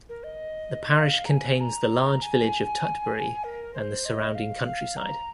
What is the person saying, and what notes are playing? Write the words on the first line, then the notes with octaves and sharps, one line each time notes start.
The parish contains the large village of Tutbury and the surrounding countryside.
A#4
D#5
F5
A#5
G#5
A#5
G#5
A#4
C5
D#5
F5
F5
A#5